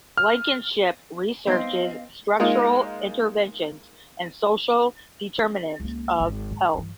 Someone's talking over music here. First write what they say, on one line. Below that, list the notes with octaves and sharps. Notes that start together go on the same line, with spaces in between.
Blankenship researches structural interventions and social determinants of health.
F6
G3 G#3 B3 C4 D#4 D#5 F5 C6
G#3 A#3 D#4 F4
C#2 A#3
G#1
G#2
G2 E3